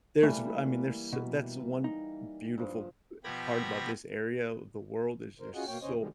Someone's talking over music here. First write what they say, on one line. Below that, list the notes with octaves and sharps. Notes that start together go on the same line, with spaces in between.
there's r I mean, there's s that's one beautiful, uh, part about this area of the world is there's so
E3 G3 A3 A#3 E5
B2
D#4
G2 F3
B2 F3 G4 B5 G#6 A#6
F2 A#4 C5
C#4 F4 F#4 G#4 D#5 F#5
B2 A#3 C#5 G5
E2 C#3 C#4 C5 C#5 D#5
B2 D3 D#3 F3 G3 G#3